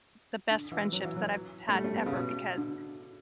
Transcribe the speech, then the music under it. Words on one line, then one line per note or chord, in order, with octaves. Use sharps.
the best friendships that I've had ever because,
D3
E3
F#3
E3
F#3
A3
G3
A3
B3
C#3
B2
D3